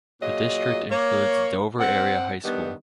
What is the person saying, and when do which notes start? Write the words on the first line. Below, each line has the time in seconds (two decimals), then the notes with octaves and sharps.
The District includes Dover Area High School.
0.22 A#2 F#3 F4 G#4 D#5
0.90 A#3 C#5
1.79 C4 F#5
2.44 D3 D#3 G3 B3